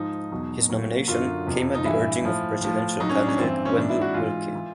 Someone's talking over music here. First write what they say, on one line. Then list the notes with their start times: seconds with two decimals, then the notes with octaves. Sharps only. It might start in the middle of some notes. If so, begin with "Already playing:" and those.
His nomination came at the urging of presidential candidate Wendell Willkie.
Already playing: G#2 F3 D#4
0.32 E2 B2 F#3
0.69 A#2 F#3
1.07 F#2 D3 F#3 F4
1.46 F2 C3 F3
1.75 D#4
1.85 G2 E3 E4
2.23 A2 F3
2.61 A2 F3
2.99 A2 F#3 D#4
3.09 C#4
3.19 D4
3.28 C#4
3.37 G2 E3 C4
3.65 C#4
3.77 G#2 E3 D4
3.89 E4
4.01 F#4
4.14 G#2 E3 F4
4.55 E3